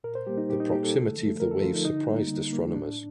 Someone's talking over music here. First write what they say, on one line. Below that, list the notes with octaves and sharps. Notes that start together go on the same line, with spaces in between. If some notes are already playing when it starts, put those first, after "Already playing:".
The proximity of the wave surprised astronomers.
A#2 A#4
C5
G3 A#3 G4
D#4
A#2 G4
D#4
G3 A#3 G4
A4
D3
F3 A3
D3 A#4
A4
F3 A3 F4
D#4
D3 D#4
G3 A#3
D3
G3 A#3
A2 D4